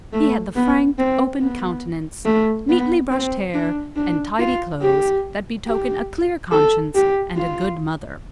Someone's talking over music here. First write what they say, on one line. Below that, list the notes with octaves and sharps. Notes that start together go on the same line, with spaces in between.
He had the frank open countenance, neatly brushed hair and tidy clothes that betoken a clear conscience and a good mother.
A3
B3
C4
B3
A3
B3
C4
D4
D4
F4
G4
G4
A4
G4
F4